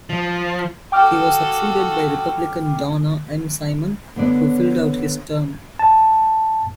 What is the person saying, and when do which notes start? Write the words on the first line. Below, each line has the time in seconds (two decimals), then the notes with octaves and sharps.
He was succeeded by Republican Donna M. Simon, who filled out his term.
0.10 F3
0.92 F#4 A4 G5 D6 F6
4.16 D3 B3 C#5 D5
5.79 A5